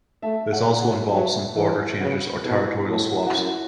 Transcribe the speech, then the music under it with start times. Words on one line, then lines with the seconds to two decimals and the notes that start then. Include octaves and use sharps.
This also involved some border changes or territorial swaps.
0.22 A3 E5 A5
0.53 C#5 F#5
0.82 C#5 F#5
1.12 F#3 B4 E5
1.56 E3 A4 C#5
2.00 C#3 F#4 B4
2.38 B4
2.45 B2 E4 A4
2.88 A2 E4 A4
3.11 F#4
3.27 F#4
3.33 F#2 E4